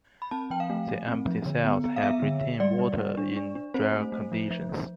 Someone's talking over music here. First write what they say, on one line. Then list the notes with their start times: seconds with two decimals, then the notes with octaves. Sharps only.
The empty cells help retain water in drier conditions.
0.22 B5
0.31 C4 A5
0.50 F3 G5
0.60 F5
0.70 A3
0.89 A3
1.08 C4
1.27 F3
1.46 D3
1.65 B3
1.84 B3
1.96 F5
2.03 B3 E5
2.22 D3
2.41 D3
2.60 G3 D5
2.79 G3
2.98 G3
3.17 D4
3.36 D4
3.55 D4
3.74 C4 C5
3.93 A3
4.12 A3
4.32 F3
4.51 F3
4.69 F3